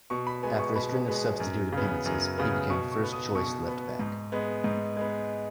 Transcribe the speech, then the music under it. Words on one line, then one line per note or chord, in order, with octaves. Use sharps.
After a string of substitute appearances, he became first-choice left back.
B2 C#6
B5
G#3 B3 G#5
C#6
B2 B5
G#3 B3
F#2
C#3 B3
F#2
C#3 B3
B2 C#6
C#6
B3
D#6
B2 C#6
B3
G#2
G#3 B3
G#2
G#3 B3